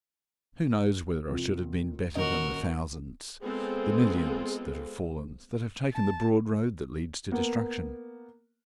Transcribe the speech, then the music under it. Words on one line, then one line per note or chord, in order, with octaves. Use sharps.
Who knows whether I should have been better than the thousands, the millions, that have fallen, that have taken the broad road that leads to destruction.
C2 F2
D#1 C#4 F#4 A#4 D#5
G#3 B3 C4 F4 G#4 A4
A5
A#3 B3